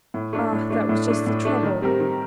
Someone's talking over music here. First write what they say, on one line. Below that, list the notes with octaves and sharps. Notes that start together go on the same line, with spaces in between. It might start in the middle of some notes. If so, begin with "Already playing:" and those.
Ah, that was just the trouble.
A2
A3 D4
A2
A3 D4
A2
A3 D4
A2
A3 D4
D#3
G3 C4 G4 A#4
D#3